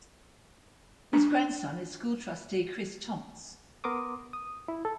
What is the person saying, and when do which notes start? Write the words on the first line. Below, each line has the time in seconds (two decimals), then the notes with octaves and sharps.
His grandson is school trustee Chris Tonks.
1.13 D4
3.84 B3 A#4 C6 D6 D#6
4.33 D#6
4.68 E4
4.85 A4